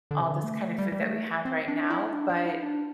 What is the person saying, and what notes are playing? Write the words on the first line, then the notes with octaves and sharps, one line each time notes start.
all this kind of food that we have right now, but
D3
C3
D3
A3
G3
G3
A3
C4
D4
E4
D4
D4
E4
D4